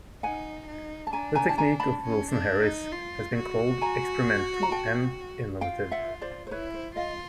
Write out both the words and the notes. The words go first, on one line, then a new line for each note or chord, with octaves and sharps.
The technique of Wilson Harris has been called experimental and innovative.
D#4 F#5 G#5
D#4
A5
D4 G#5 A#5
G#5 A#5
A5
G#5 A#5
A5 B5
C#4
D4
D#4
F4
F#4
G#5 A#5
A#5
G5 A5
F4 F5 G5
E5 F#5
C5 D5
C5
E4 B4 C#5
C5
F4 D#5 F5